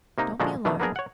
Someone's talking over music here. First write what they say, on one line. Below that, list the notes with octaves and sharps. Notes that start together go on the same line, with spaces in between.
Don't be alarmed.
C3 A#3 D#4
A#2 D3 F3 G#3 D4 F#4
B2 D#3 E3 A3 D4
A#3 B3 D4 G#4 A#4
C#5 F#5